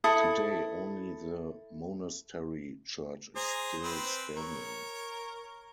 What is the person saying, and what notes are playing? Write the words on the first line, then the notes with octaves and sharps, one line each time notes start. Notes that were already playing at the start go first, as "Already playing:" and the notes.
Today only the monastery church is still standing.
E4 A4 D#6
G#4 C5 A#5
C4 B4
A#4 C#5